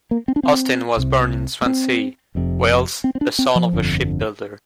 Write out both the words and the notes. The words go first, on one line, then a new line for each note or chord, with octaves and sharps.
Austin was born in Swansea, Wales, the son of a shipbuilder.
A#3
C4
D4
C4
C2 C3
A#3
C4
F1 F2 C3
C4
C4
D4
C4
F3
G1 F2 D3